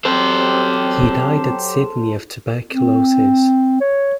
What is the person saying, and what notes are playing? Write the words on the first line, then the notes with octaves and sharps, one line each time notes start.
He died at Sydney of tuberculosis.
F#3 C4 G4 A4 C5
C4
C#5